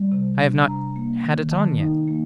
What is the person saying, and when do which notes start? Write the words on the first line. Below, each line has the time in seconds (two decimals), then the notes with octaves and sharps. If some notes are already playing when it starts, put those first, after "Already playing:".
I have not had it on yet.
Already playing: G3
0.12 C3
0.39 D4
0.68 C3 A#5
0.96 A#3
1.24 D#3
1.51 D#3 A5
1.80 D#4
2.08 A#3